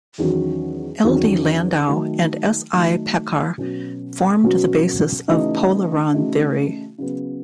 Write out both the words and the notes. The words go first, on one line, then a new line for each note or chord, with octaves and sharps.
L. D. Landau and S. I. Pekar formed the basis of polaron theory.
E2 D#3 F#3 C#4 F#4
E2 D#3 F#3 C#4 F#4
D#3 F#3 A3 D#4
D#3 F#3 A3 D#4
B2 F#3 C#4 F#4
B2 F#3 C#4 F#4
C#3 E3 A3 D#4 F#4
C#3 E3 A3 D#4 F#4
C#3 F#3 B3